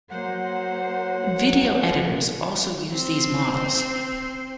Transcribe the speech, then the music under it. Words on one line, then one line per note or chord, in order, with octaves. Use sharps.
Video editors also use these models.
F#3 A#3 C5 F#5
C4 C6